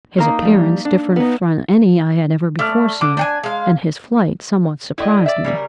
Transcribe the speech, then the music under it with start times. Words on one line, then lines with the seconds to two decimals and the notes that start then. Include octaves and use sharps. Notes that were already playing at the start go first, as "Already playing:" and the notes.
His appearance, different from any I had ever before seen, and his flight somewhat surprised me.
0.18 A#3 D#4 F5 A#5
0.42 F3 G3
0.85 D4
1.16 B3 D#4
2.59 A3 D5 F6
3.01 D3 D6
3.17 D4 G5 G#5
3.43 G#3 F5
4.98 D3 E4 D#5 G5
5.26 D5 E5
5.44 C#3 G3 A#4